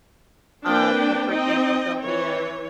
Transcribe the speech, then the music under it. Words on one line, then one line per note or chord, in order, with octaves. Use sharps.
Um, and, for example, there'll be a
A#3 C4 D4 B4 G5
C4 D#4 D#5 G5
E3 C#5